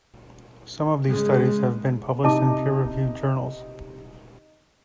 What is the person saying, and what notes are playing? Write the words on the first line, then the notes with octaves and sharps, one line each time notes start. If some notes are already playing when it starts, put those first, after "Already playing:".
Some of these studies have been published in peer-reviewed journals.
C#3 G#3
C3 D#4 E4 A5 D6